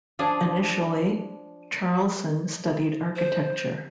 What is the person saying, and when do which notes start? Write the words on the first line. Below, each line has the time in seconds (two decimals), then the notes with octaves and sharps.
Initially Charleson studied architecture.
0.19 F3 D4 G#4
3.16 C5